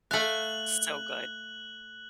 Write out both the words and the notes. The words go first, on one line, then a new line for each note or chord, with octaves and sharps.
So good.
A3 F5 F#6 F#7